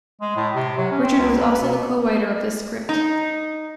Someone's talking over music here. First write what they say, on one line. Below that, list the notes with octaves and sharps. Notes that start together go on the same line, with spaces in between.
Richard was also the co-writer of this script.
G#3
A2
C3
F#3
C#4
C4
C#2
B4
B2
D#4